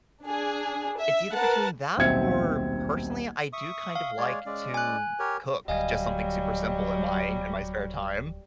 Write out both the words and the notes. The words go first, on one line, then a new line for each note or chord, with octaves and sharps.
it's either between that or personally I do kind of like to cook just something super simple in my in my spare time.
D4 G#4
E5
A#4 B4 F#5 A5
D#1 B1 C4 E5 G#6 C#7
E5 C#6 D#6
F5
G#3 C#5 D5
G#3 C#4 D5
G#5 F#6
G4 A#4 C#5
D1 D3 F#3 G3 D#5 F5 G#5